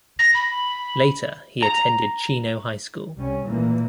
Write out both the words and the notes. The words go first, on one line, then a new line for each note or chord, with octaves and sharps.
Later he attended Chino High School.
A#6
B5
A#5
C2 G3 C#4
A#2 E3 A#3